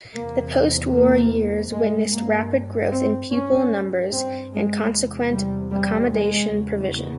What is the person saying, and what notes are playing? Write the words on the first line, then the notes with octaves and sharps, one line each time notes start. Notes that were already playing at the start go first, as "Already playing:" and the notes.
The post-war years witnessed rapid growth in pupil numbers and consequent accommodation provision.
E2 C3 A#3
A#3
G2 G#3
A#3
C4
G2 C#4
C4
G#3
E2 C3
G3
G3
G#3
E2 C#3